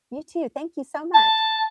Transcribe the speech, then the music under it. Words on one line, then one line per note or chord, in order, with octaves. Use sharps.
You too. Thank you so much.
A5